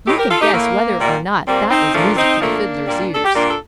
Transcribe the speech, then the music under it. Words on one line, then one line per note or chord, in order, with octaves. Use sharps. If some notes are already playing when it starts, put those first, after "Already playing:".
You can guess whether or not that was music to the Fiddler's ears.
A2 A3 D#4 G4
A4
G4 A#4
F4 A4
D#4 G4
A2 A3 A#3
A#2 G3 A#3
A#2 G3 A#3 C4
C4 D#4
A#2 F3 A3 D4 F4
C4 D#4
A#2 F3 A3 A#3 D4
A#2 G3 A#3
A4
G4
A#2 G3 A#3 D4 F4
A4